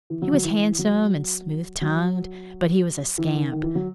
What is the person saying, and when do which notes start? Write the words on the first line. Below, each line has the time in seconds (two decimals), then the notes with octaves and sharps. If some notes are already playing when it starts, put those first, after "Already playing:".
He was handsome and smooth-tongued, but he was a scamp.
0.10 E3
0.22 F#3
0.33 F#3
0.44 E3
0.79 F#3
1.81 F#3
3.18 E3
3.35 D#3
3.52 D#3
3.63 E3
3.75 F#3